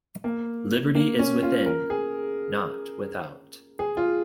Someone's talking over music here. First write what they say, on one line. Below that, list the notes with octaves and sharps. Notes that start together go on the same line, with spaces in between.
Liberty is within — not without.
A#3
A#3
C#4
F4
A#4
G#4
G#4
F4